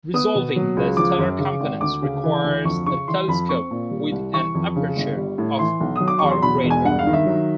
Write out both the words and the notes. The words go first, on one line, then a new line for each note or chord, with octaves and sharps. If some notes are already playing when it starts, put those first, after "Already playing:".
Resolving the stellar components requires a telescope with an aperture of or greater.
B3 D#6
B2
F#3
C#2
F3 D6
F#2
C#3
G#1
D2 D6
C#3
E3
D2
F2 C#6
C#3 C#6
E3 C6
F2 B5
C4 C#6
A#2
G3
C2
E3 C#6
F2
C#3
G1
G3
A2
E3 C6
B1
F#3 D#6
D6
E2 C#6
C6
B2 B5
E1
G#5
G2 F#5
F5
D#3
E5
F#3